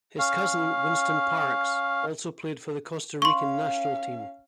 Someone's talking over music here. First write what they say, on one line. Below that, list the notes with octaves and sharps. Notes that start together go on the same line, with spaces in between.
His cousin Winston Parks also played for the Costa Rican national team.
C#4 F5
C#4 F5 C6 C#6